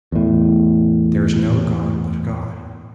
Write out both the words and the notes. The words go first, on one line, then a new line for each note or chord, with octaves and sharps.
There is no god but God.
E2 A2